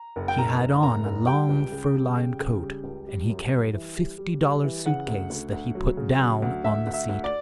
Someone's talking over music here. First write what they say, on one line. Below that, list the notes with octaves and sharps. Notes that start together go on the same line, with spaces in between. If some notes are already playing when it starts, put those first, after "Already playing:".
He had on a long fur-lined coat, and he carried a fifty-dollar suit case that he put down on the seat.
Already playing: A#5
F#1
G5
F#1 A#5
F#1
F#1 A#5
F#1
G3 G5
C#2
C#3
G3
C#3
C#3
G3
C#2
G3
F#2
G3
E3
G3
G3
G3
E3
C#3 F#5
D2
D2
D2
F#3
C#3
F#3
D2
D2 E5
D2
E5
D2
D5